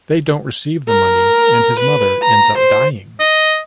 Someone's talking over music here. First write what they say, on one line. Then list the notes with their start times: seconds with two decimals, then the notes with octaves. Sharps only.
They don’t receive the money and his mother ends up dying.
0.88 A#4
1.80 B4
2.22 A#5
2.58 C5
3.20 D#5